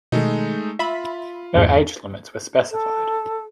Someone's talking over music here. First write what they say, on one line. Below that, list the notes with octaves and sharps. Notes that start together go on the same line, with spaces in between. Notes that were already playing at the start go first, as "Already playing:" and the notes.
No age limits were specified.
B2 D#3 G#3 A3 D#4
F4 E5 B5
E2 G2 A#2
A4